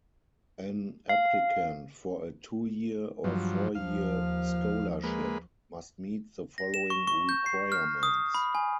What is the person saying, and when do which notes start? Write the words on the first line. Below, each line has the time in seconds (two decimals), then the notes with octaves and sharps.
An applicant for a two-year or four-year scholarship must meet the following requirements.
1.09 F5
3.24 G2 F3 F#3
3.75 D#2 F3 F5
5.03 G#3 A#3 B4
6.58 A#6
6.74 E7
6.90 C#6
7.07 C#6
7.29 G6
7.46 C7
7.72 F6
8.03 D#6
8.35 B5
8.55 G#5